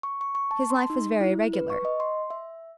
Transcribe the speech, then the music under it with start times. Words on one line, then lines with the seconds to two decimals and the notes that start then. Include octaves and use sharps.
His life was very regular.
0.03 C#6
0.21 C#6
0.35 C#6
0.51 A5
0.70 C6
0.90 D#4
1.21 E4
1.54 B4
1.70 C#6
1.85 D#5
2.00 C6
2.30 E5